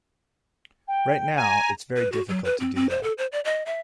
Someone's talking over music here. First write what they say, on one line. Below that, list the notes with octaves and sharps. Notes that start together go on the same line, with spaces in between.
Right now, it's very difficult to do that.
G5
G#5 A#5
B4
F#4
F#3
B4
C4
C4
C5
A4
C5
D5
D#5
E5